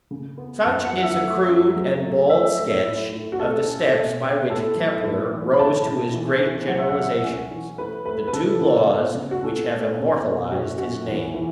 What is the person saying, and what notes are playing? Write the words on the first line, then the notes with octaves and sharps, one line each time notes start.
Such is a crude and bald sketch of the steps by which Kepler rose to his great generalizations--the two laws which have immortalized his name.
C#3
B3
F#2 A5
F#5
F#3
E5
A3
C#4
F#3
A3
A3 E5
A3
A2
A2
F#4
A3 A4
C#4
B2
B3
A2 A4
F#3
A2
E3
B5
A3 A5
B2
E3
C#4
F#3 F#5
E5
F#5
C#4
C#4
E3
A3 B4
A3 B4
B4
C#3 A4
C#3
B3
C#3
F#4
C#4 A4
A3
C#4
B2
F#2 F#4
C#4 F#4
E2
E3